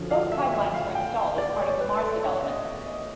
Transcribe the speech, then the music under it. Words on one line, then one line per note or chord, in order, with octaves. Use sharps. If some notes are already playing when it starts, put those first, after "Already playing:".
Both pipelines were installed as part of the Mars development.
Already playing: F#2 D3 F3
F5
E5
E5
F5
G5
D5
C#5
B4
A4
C#5
E5
D#5
E5
D#5